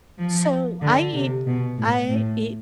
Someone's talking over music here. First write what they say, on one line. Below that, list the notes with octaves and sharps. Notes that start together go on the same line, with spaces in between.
So, I eat I eat
F3
D3
C3
B2
A2
A2